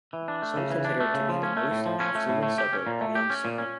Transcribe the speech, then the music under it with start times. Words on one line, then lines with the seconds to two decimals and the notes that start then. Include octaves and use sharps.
Some consider it to be the most affluent suburb of Youngstown.
0.13 E3
0.28 D4
0.42 A3
0.57 C#3
0.71 E3
0.85 D4
1.00 A3
1.14 C#3
1.29 F3
1.43 C#4
1.57 A3
1.71 A2
1.86 F3
2.00 C#4
2.15 A3
2.29 A2
2.43 A3
2.58 G4
2.73 C#4
2.87 A#2
3.01 A3
3.15 G4
3.30 C#4
3.45 A#2
3.58 C#4